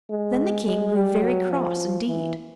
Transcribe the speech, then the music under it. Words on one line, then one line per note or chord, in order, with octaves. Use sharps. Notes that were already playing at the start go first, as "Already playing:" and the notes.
Then the king grew very cross indeed.
G#3
G#3
G3
F#3
F3
E3